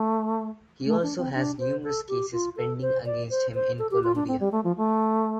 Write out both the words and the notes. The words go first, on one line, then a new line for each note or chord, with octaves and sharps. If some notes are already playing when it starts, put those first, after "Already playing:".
He also has numerous cases pending against him in Colombia.
Already playing: A3
A3
D4
C4
D4
C5
A4
G4
F4
A4
C5
D5
C5
C5
A4
G4
F4
D4
C4
G3
A3
F3
A3